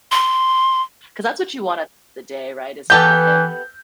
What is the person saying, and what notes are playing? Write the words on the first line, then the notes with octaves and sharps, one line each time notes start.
'Cause that's what you want at the day, right? Is to have him
C6
E3 B3 G4 A4 G6